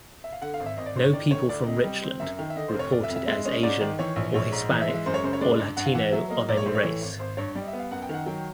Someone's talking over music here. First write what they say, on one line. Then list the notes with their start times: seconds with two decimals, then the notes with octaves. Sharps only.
No people from Richland reported as Asian or Hispanic or Latino of any race.
0.24 E5
0.33 F5
0.42 D3 F#5
0.54 F5
0.60 G#1
0.66 E5
0.77 G#1 D#5
0.86 D5
0.96 G2 C5
1.04 C#5
1.13 D#3 D5
1.31 D2 C#5
1.49 D2 D5
1.66 C3 D#5
1.84 G3
2.03 C4
2.20 F#2 E5
2.39 D#3
2.50 E5
2.56 D3 D#5
2.68 C5
2.74 F1
2.79 C#5
2.91 F1 D5
3.03 E5
3.09 F2
3.16 E5
3.27 G#3 E5
3.45 C#4 D#5
3.63 G#2 D5
3.81 D#3
3.99 E3 C#5
4.16 A#1
4.34 A#1 C#5
4.52 G#2
4.70 E3 D#5
4.81 E5
4.88 G#3
4.94 E5
5.06 F#2 C5
5.14 C#5
5.23 C#3 C5
5.33 C#5
5.41 G#3 D5
5.59 G2
5.77 G2 F#5
5.85 F5
5.94 E3 F#5
6.12 F#3 E5
6.30 A#3 D#5
6.49 A#1 D5
6.57 C#5
6.66 A2 C5
6.75 C#5
6.83 E3
7.02 G#1
7.19 G#1 C5
7.37 G2 C#5
7.55 G3 D5
7.62 D#5
7.68 E5
7.73 B3
7.79 F5
7.91 F#2 F#5
8.02 G5
8.09 D#3 F#5
8.26 F#3 G5